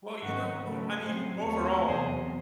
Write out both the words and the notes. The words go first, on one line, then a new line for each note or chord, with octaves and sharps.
Well, you know I mean, overall,
G#2 D#3 F#3 C#4 D#4 F#4
C#3 F#3 A3
A2 F#3 C4 G#4 C5
D#2 D#3 A3 C4 A4 C#5
E2 C3 F#3 G#4 C5